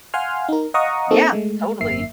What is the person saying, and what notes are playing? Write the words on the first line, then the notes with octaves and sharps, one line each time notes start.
Yeah, totally.
F5 F#5 G#5 C6 F6
D#4 A#4
D#5 F5 F#5 A#5 C#6 D#6
A#3 C4 D#4 A4
G#3 A3
G#1 F#2 A#3 E5 C7